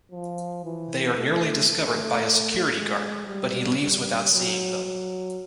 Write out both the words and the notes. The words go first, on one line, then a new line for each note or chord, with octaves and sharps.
They are nearly discovered by a security guard, but he leaves without seeing them.
F3
E3
A3
A3
G#3
G3
G3
F#3
F#3